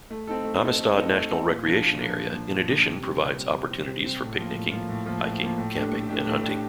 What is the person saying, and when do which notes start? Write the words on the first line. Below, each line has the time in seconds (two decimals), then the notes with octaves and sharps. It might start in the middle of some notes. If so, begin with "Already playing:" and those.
Amistad National Recreation Area in addition provides opportunities for picnicking, hiking, camping and hunting.
0.10 A3
0.27 C4 D#4 A4
0.44 A3
0.61 C4 D#4 A4
0.79 A3
0.96 C4 D#4 A4
1.12 A3
1.29 C4 D#4 A4
1.47 A#2
1.65 F3 A#3 D4
1.81 A#2
1.99 F3 A#3 D4
2.15 A#2
2.33 F3 A#3 D4
2.50 A#2
2.67 F3 A#3 D4
2.84 C3
3.00 G3 C4
3.18 C3
3.35 G3 C4
3.53 C3
3.70 G3 C4
3.86 C3
4.04 G3 C4
4.21 A2
4.38 F3 A#3 F4
4.55 A2
4.72 F3 A#3 F4
4.89 A2
5.06 F3 A#3 F4
5.24 A2
5.40 F3 A#3 F4
5.58 A2
5.75 A3 D4 G4
5.92 A2
6.09 A3 D4 G4
6.26 A2
6.43 A3 D4 G4